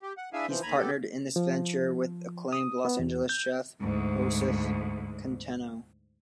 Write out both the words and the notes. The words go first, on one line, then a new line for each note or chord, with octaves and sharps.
He's partnered in this venture with acclaimed Los Angeles chef Josef Centeno.
G4
F#5
D4 E4 G#4 E5 F5 G#5
E3 F3
D#2 G#5 A#5 B5
B3 G4 A4
F3
D#6
B3
E2
G6
D2 G#2